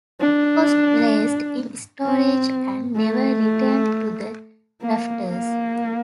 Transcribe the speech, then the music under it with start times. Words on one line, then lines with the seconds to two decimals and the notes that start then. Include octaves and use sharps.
It was placed in storage and never returned to the rafters.
0.20 D4
2.05 C4
2.97 A3
4.82 A#3
5.28 A#3